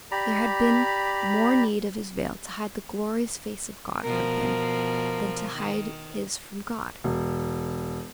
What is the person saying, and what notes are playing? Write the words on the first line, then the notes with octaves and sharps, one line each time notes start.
There had been more need of his veil to hide the glorious face of God from him than to hide his from God.
G4 D5 A#5 B5
B2 F3 A#4
D#3
E1